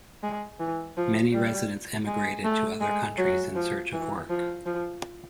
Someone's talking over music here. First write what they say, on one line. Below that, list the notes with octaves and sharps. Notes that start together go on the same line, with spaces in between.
Many residents emigrated to other countries in search of work.
G#3
E3
F3
G3
G#3
A3
G#3
F#3
F3
E3
F3
F3